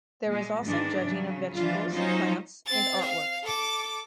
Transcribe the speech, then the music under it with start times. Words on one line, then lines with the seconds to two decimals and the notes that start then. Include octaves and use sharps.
There is also judging of vegetables, plants and artwork.
0.25 A#2 G#3
0.63 G#2 D#3 E3 G#3 D4
1.04 C#3 F#3
1.55 E3 F3 D4 F4
1.93 F#3 C#4 D#4 F4 C5 C#5
2.67 C4 A6
3.01 F5
3.43 A4 D6